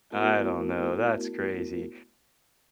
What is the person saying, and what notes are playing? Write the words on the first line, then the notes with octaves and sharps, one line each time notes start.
I don't know, that's crazy.
A3 B3 E4 F#4 A#4